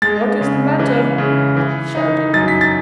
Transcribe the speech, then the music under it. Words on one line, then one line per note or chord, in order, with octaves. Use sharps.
"What is the matter?" he shouted.
G#3 A6
C#3
E3
C#3
E3
D#4
F#2 A6
B6
A6